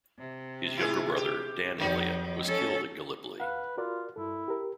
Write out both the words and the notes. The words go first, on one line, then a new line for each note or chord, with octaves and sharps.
His younger brother Dan Elliot was killed at Gallipoli.
C3
E4 F4 G#4
G4
F2 D#3 F#3 D#4
C#4 A4
D#2 B4 F5 F#5
F4 F#4 A#4 D5
G2 E4 A4
G4 A#4